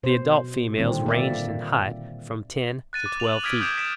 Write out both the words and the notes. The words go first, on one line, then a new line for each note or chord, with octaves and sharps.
The adult females ranged in height from ten to twelve feet.
B2 C5
A#2 D3 D#3 G3 C4
A#3 D5 E5
F#6 A6 D#7
D6
F7 F#7
D#6 F6 G#6 A6 B6 D7
D6 D#6 G6 G#6 D7 E7
B6 D7 E7